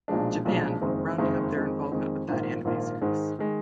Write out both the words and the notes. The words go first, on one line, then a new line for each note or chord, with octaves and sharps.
Japan, rounding up their involvement with that anime series.
B1 A#2 F3 G#3 D4
B1 A#2 F3 G#3 D4
F#1 F2 D#3 G#3
F#1 F2 D#3 G#3
F2 D#3 G#3
F2 D#3 G#3
A#1 G#2 D#3 A#3 F4
A#1 G#2 D#3 A#3 F4
G#2 D#3 G#3
D#3 G#3